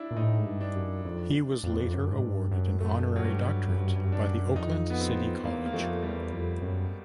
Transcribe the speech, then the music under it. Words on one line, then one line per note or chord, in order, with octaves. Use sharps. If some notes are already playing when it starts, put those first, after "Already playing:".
He was later awarded an honorary doctorate by Oakland City College.
Already playing: D4 E4
A#2
A2 D#4
G#2
G2
D4
F#2
F2
F2
E2
F2
F#2
G#2
G2
F#2
F#2 A3
F#3
G2 G3
F#2
G2
F#2
G2
F#2
G2 D4
F#2
F2 D#4
B3
C4
E2 A#3
A#3
F2 A3
E2 G3
F2
F#2